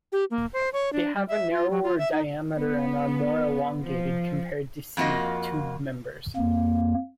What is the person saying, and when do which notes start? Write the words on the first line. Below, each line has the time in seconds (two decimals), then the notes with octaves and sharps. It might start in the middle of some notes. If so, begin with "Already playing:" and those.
They have a narrower diameter and are more elongated compared to sieve tube members.
0.12 G4
0.31 A#3
0.53 C5
0.73 C#5
0.93 D4
1.16 G3
1.28 E5
1.51 F4
1.71 F#3
1.83 F4
1.99 E5
2.12 D#4
2.54 B3
3.79 F3
4.97 F2 A#3 F4 F#4 D#5
6.36 F2 A#3